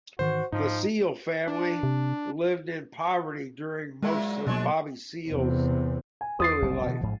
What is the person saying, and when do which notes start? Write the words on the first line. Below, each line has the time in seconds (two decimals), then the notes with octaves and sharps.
The Seale family lived in poverty during most of Bobby Seale's early life.
0.19 G#2 D#3 E3 F#4 C5
0.52 G#2 F3 D#4
1.48 D4
1.83 C3
4.02 A#2 F#3 G#3 E4
4.47 B2 F#3 G#3 A#3 D4 C#5
5.28 E2 C3
6.21 G#5
6.40 E2 D#6 A6 C7
6.62 F#1 C2 A2
6.87 B2 D3 E3
7.01 A1 G#2 F3